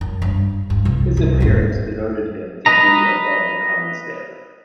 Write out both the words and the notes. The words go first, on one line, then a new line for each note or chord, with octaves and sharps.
His appearance denoted him to be above the Common Stamp.
F#2
G2
G2
C2
C2
D1 G1
B4 D#5 A#5